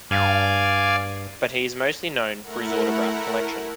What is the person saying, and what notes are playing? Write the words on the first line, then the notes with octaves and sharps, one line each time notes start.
But he is mostly known for his autograph collection.
G2 D5 F5 G#5
A3 E4 A#4 F#5